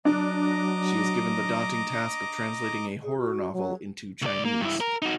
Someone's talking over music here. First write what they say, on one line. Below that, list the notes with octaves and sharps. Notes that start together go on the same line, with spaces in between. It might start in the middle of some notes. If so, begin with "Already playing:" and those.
She is given the daunting task of translating a horror novel into Chinese.
F#3 D4 D#5 A#5 D6
G#4
F#4
F#3
C#2 D5
A#3
G2 E4
A#4
D#4 F#4